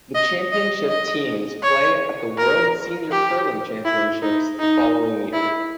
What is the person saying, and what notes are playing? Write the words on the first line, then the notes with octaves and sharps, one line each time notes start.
The championship teams play at the World Senior Curling Championships the following year.
D#5
D#5
D#5
C#5
A#4
G4
E4
D#4
D#4
E4